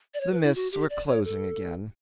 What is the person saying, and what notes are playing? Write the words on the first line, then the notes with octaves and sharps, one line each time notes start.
'The mists were closing again.
D5
C#5
B4
E4
F#4
G4
D5
C#5
A4